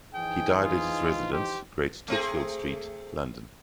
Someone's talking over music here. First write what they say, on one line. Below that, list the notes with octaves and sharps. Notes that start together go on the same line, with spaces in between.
He died at his residence, Great Titchfield Street, London.
E3 F3 D#4 G#4 G5
F4
G4 C5
A3 C4 G#4